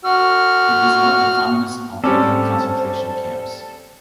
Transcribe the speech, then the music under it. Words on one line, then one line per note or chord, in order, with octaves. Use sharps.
It was one of the Communist Albania concentration camps.
F#4 F6
G3 C4 C#4 A4 C5 D5